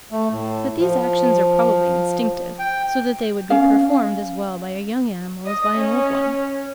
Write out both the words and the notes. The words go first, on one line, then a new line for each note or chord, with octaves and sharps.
But these actions are probably instinctive, so that they would be performed as well by a young animal as by an old one.
A3
A2
F3
G5
C#4 F5
D#5
C#4